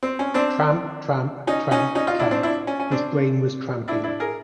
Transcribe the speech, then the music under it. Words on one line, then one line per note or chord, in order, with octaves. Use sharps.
Tramp, tramp, tramp, tramp; his brain was tramping.
C4
C#4
C4 D4
C#4 D#4
C#4 D#4
C#4 D#4
D#4 F4
D4 E4
C4 D4
D4 E4
C#4
C#4
C4 D4
D4 E4
D4 E4
G#4 A#4